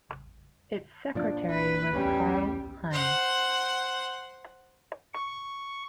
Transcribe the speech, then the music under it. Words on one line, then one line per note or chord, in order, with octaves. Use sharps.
Its secretary was Karl Heinz.
A#2 F3 D4
B4
A1 E2 G3 C#4
C5 F#5
C#6